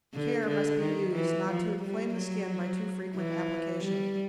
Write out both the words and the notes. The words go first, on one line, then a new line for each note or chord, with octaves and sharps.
Care must be used not to inflame the skin by too frequent application.
D3
D3
D#3
E3
F3
G3
F#3
E3
G3